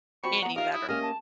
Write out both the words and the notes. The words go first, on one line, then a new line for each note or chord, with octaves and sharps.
Any better.
F3 C4 F#4 B5 C#6
B3 F#5 A#5
D#4 F4 G4 A#4 E5 F5
E4 D#6
A#3 C#4 G4 G#4 D#5 E5 F6
A5